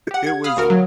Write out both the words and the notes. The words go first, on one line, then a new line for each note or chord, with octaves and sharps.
it was
G4 F#5
G#6
F5 B5 D#6 F6
D2 F#4 A#4
F#3